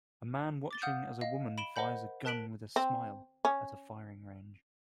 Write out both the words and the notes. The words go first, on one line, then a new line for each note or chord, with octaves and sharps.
A man watching as a woman fires a gun with a smile at a firing range.
D6 A6 G7
F5 F#5 D#6 F6 G6
D#5 F5
B5 D7 E7 G7
A#4 C5 D#5 F#5 B5 G6
A#4 A5 F#6 B6 D7 F#7
C4
C#4